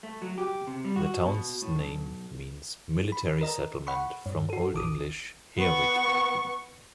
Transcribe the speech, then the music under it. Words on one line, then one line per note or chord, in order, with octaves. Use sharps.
The town's name means "military settlement," from Old English "here-wic".
A3
F#3
G4
C3
G3
F#4
B2
A2
B1
B5
A#4 D#5 A#5
F#5 B5 C#6
G2
F#4 A4
A1 D#3 D6 D#6
B3 C#6